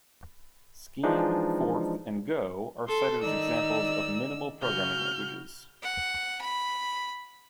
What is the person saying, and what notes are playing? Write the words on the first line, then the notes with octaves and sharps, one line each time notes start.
Scheme, Forth, and Go are cited as examples of minimal programming languages.
E3 F3 G#3 D4 D#4
A4 C6
D#3 D#4 D5 E6
C#3 F#4 F6 G6
F#5
B5